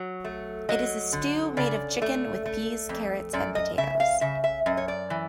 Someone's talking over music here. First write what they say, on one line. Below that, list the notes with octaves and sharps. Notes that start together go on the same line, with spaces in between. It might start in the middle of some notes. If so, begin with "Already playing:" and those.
It is a stew made of chicken with peas, carrots, and potatoes.
Already playing: F#3
A3
F#3 D#5
D3
C#3 D5
A3
A3
F2
F#2 D5
D#5
C#3 E5
F5
C#3 E5
E5
F#2 D#5
C#5
D5
E3